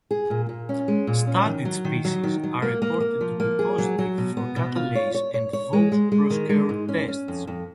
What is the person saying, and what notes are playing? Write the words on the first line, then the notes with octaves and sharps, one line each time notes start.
Studied species are reported to be positive for catalase and Voges–Proskauer tests.
G#4
A#2
A#2
C#4
G#3
A#2
C#4
D#3
F#3
D#3
F#3
D#3
F#3
A#3
A#3
A#3
F3
A#3
G#4
F#3
F#3
B2
B3
B2
F4
C#5
C#5
C#5
C#5
G#3
G#3
G#3
D#3
G#3
G#2
C#4
C#4
F2
F2